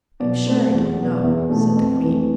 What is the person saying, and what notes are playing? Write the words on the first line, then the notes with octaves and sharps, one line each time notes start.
"I'm sure I don't know," said the queen.
B2 D5
A3 C4
E2
B2 B3
D5
E2 E5
B2 A3
F2
E3 A3